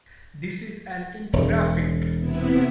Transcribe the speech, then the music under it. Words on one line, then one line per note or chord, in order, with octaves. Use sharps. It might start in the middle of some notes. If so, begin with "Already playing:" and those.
This is an infographic.
E1
C3 B3 E4